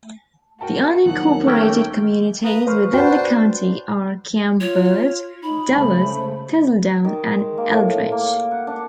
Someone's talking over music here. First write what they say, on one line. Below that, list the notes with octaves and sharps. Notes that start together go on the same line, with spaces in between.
The unincorporated communities within the county are Camp Bird, Dallas, Thistledown, and Eldredge.
F#4 A#4 G5 A5
D#2 D#3 F3 F#3 F#5 F#6
A3 A#3 C#4 G5
B4 F5 A#5 D#6
B4 C5 C#6 F6
D4 F#4 B4 C5 G5
F4 C#5
D#4 B5
C#3 G#3 A3 C5
D#3
G#3
A#3
A2
A#3
F#5
D4